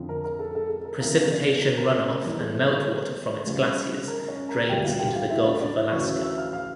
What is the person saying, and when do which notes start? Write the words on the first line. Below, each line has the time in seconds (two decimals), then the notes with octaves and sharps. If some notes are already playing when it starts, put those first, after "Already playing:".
Precipitation runoff and meltwater from its glaciers drains into the Gulf of Alaska.
Already playing: F2 D3 F3
0.09 A#4
0.25 A#4
0.39 A4
0.55 A4
0.70 A4
0.85 A#4
1.01 E2 C#3 F3 A#4
1.17 A#4
1.31 D4 D5
1.62 A#4
1.78 A#4
1.93 C#4 C#5
2.09 A#4
2.24 E2 E3 G3 A#4
2.39 A4
2.70 A4
3.46 C#2 C#3 G3
4.08 A#4
4.28 C#4 C#5
4.49 A#4 A#5
4.69 D2 D3 G3 G4 G5
4.85 F4 F5
4.99 G4 G5
5.16 F4 F5
5.30 E4 E5
5.46 D4 D5
5.61 D4 D5
5.77 E4 E5
5.91 D2 C#3 E3 C#5 C#6
6.07 E5 E6
6.22 E5 E6
6.38 F5 F6
6.53 F5 F6